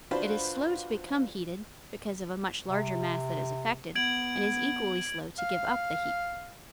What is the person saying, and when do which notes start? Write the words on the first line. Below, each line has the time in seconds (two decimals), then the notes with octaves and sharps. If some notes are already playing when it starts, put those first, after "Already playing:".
It is slow to become heated, because of a much larger mass that is affected, and is equally slow to give up the heat.
0.11 D4 F4 F#4 B4 C5 B5
2.67 C3
3.95 B3 G#6 D7 F#7
5.39 F5